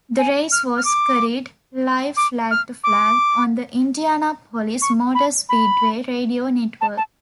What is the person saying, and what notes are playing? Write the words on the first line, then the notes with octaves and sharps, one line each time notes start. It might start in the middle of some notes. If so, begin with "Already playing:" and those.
The race was carried live flag-to-flag on the Indianapolis Motor Speedway Radio Network.
G#5
F6
F6
D6
D6
F6
D6
C#6
B5
B5
A5
A5